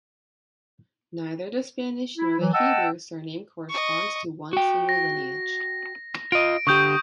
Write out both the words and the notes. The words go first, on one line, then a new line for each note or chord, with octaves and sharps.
Neither the Spanish nor the Hebrew surname corresponds to one single lineage.
E4
E3 F#3
D#5 F#5 G5 A5 E6
D#5 C#6
F#4 G5
A#6
F4 D#5 D7
D3 G4 C#6 D#6 G6